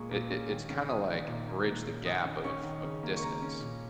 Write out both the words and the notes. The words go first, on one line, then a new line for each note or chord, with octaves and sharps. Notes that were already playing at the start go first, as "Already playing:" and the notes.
it it it's kinda like bridged the gap of of distance,
Already playing: A#2 G#3 A#3 C#6
A#2
C#4
D#3
C#4
C#4 D#6
D#3
A#2
A#3
A#2
C#4
D#3 D#6
C#4
C#4 C#6
D#3
C#3
A#3
C#6
C#3 A#5
C#4
A#2